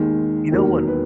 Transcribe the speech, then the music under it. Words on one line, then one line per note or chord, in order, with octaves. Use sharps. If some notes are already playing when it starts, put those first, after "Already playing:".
You know, one
Already playing: D#2 D#3 G#3
E1 D#2 D#3 F#3 A#4
B4